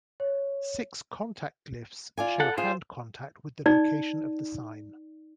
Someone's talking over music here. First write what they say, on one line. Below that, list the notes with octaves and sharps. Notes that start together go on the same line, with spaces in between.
Six contact glyphs show hand contact with the location of the sign.
C#5
F4 D5 G#5
A4 F#5
F4 G#4 C5
D#4 D5